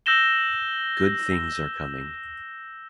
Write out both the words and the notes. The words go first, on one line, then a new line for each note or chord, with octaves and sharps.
Good things are coming.
E6 G6 A#6 E7 G7